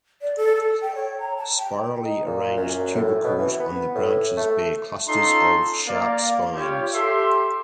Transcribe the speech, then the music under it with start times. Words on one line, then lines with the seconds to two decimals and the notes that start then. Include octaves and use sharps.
Spirally arranged tubercles on the branches bear clusters of sharp spines.
0.22 D5
0.37 A4
0.56 A4
0.81 G5
0.95 C#5
1.19 A#5
1.37 A5
1.57 G5
2.05 D#4
2.26 A#2
2.57 F#2
2.95 A2
3.24 B2
3.38 E3
3.60 B3
3.95 A2
4.37 A3
5.08 C#4 D#4 F4 A4 A#5 C6
5.87 A#3 D5 F5
6.55 F4 G4 C#5
6.93 G4 A4 E5 C6